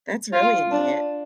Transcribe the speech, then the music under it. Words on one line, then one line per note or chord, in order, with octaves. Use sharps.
That's really neat.
F4
D4